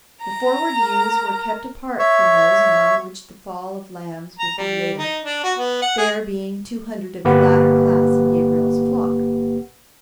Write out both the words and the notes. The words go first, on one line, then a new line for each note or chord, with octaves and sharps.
The forward ewes were kept apart from those among which the fall of lambs would be later, there being two hundred of the latter class in Gabriel's flock.
A#5
A#4
C#5 E5 C#6
A#5
G3
D#4
D4
F#4
B3
F#5
G#4
G1 A#3 G4 B4 F#5